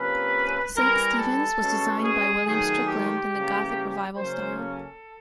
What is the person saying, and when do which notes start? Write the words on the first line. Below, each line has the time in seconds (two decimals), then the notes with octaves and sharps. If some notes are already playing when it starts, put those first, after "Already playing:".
Saint Stephen's was designed by William Strickland in the Gothic revival style.
Already playing: C3 F3 A#3 C#4 B4
0.75 E3 G3 B3 A#4
1.17 A4
1.61 B2 G#3 C#4
2.03 G#4
2.45 D#3 F#3 A3 G#4
2.87 G4
3.30 C#3 E3 G3 A#3 C#4
4.14 C#3 F#3 A#3 C#4 C5
4.58 A4